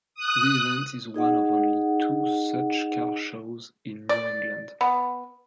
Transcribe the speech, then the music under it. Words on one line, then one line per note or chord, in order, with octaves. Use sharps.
The event is one of only two such car shows in New England.
D#6 F#6
D#4 G#4 D#5 F#5
D5
B3